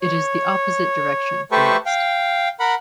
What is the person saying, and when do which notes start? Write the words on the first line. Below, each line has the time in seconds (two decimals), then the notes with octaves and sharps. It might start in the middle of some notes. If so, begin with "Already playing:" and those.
It is the opposite direction from west.
0.02 C#5
1.52 A3 G4 A4 B4 C5 C#6
1.86 F5 G5
2.60 A#4 F#5 B5